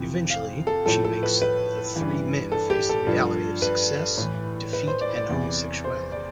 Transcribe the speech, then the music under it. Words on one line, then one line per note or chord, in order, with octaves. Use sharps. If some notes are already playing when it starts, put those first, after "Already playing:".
Eventually, she makes the three men face the reality of success, defeat and homosexuality.
Already playing: F2 C3 E3
F5
A4
A2 F3 A4
A4
B4
B4
E3
G2
A4
G4
A4
G2 F3
B4
A2 E3
B4
C5
D5
D5
E2 C3 E3
C5
D5